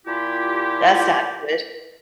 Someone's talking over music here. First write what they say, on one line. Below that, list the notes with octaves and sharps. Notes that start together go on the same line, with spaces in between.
That's not good.
A#2 E4 F4 G4